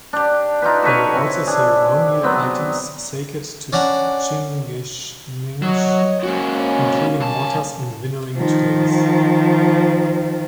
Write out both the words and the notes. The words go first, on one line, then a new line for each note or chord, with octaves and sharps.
There were also ceremonial items sacred to Chingichngish, including mortars and winnowing trays.
D4 G4
D#4 F4 G4 B4
F#4 A4 B4 C#5
C4 E4
D4 G#4
F#3 B3 C4
C#4 D4 F#5 A#5
F#3 C#5 D#5
G#3 A#3 C#4 F#4
C2 A5
D#3 F3